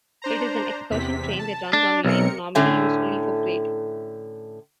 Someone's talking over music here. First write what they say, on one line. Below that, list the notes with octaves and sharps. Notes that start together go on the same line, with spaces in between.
It is an excursion train that runs on lines normally used only for freight.
D4 C5 A#5
E2 C3 B6
A5
D4
B1 C3 A#4 C#7
A2 D3 A3 C#4